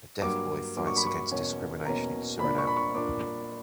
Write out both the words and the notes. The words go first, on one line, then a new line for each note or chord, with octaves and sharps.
A deaf boy fights against discrimination in Suriname.
G2 F#3 A#3 D6
G2 F#3 A#3 D6
C#6
B5
C#6
E2 B2 A#3 C#4
E2 B2 A#3 C#4 A#5
A#2 A#3 D4 B5
C#6
B5
C#6
A#2 A#3 D4 D6